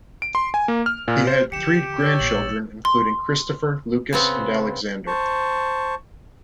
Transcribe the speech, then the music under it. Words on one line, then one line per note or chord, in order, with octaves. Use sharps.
He had three grandchildren including Christopher, Lukas, and Alexander.
D7
C6
G#5
A#3
F6
A#2
C5
D3 F3 G4 C#7 E7
C#5 E6 A6
A1 A#2 F#7
C6
C#3 B3 C4
C5 A5 C#6